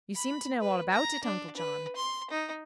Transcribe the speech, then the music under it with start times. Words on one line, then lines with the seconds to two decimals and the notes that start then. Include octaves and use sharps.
"You seem to know all about it, Uncle John."
0.15 B5
0.60 B4
0.92 A#5
1.24 D4
1.57 B4
1.96 C6
2.30 D#4